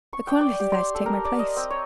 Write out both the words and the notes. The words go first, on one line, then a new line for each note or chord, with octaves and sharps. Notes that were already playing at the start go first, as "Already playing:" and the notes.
"The cornet is there to take my place."
C#6
G5
D5
G4
C6
A4
A#4
D5
D#5
C4
C#5